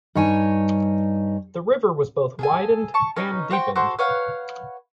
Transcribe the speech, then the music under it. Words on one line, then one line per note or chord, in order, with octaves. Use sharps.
The river was both widened and deepened.
G2 D#4 C#5 G#5
G#4 A4 G#5
A5 C#6
C#4 D#4 B4
F#4 C5 G5
F#4 A4 C5
B4 C#5 F5 F#5